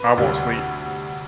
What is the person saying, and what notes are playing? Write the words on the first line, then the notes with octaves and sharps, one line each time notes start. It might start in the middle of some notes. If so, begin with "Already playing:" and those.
I won't sleep.
Already playing: B4
D2 C3 G3